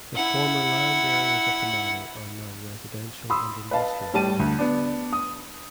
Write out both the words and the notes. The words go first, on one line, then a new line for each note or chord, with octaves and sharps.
The former land areas of the manor are now residential and industrial areas.
E4 F#5
B5 C6 D#6 E6
B4 D#5 F5 A5
A2 G3 A5 D#7
D2
B3 D4
D#6